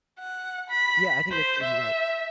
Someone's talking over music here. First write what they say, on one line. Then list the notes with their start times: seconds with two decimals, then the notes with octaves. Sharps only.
Yeah, I think that's totally right.
0.19 F#5
0.70 B5
1.32 C5
1.63 E5